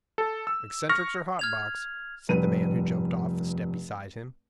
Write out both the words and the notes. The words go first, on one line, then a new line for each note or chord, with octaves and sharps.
'Eccentrics or hot-box,' said the man who jumped off the step beside him.
A4
E6
C#6 F6 A#6
F6 G#6 F7
F1 G2 B4 D#7